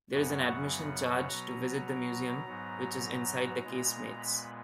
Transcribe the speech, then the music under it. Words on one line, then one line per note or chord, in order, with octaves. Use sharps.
There is an admission charge to visit the museum which is inside the casemates.
F#2 C#3 F#3 B3 F#5
B2 F#3 B3 A#5
A#5
G#2 F#3 B3
A#2 G#3 B3 A#5
B5